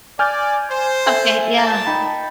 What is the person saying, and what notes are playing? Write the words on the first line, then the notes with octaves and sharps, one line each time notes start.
Okay, yeah.
D5 G#5 F6 G6
C5
A4 E5 G#5
A#2 A5
D#4 G5 B5